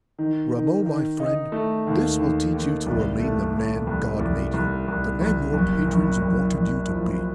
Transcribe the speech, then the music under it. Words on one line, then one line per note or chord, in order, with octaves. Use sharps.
Rameau, my friend, this will teach you to remain the man God made you, the man your patrons wanted you to be.
D#3
D#3
D#3
D#4
A3
D#2
D#2
D#2
C2
A3
A3
C2
C2
C2
C2
C2
F#1
F#1
F#1
F#1
F3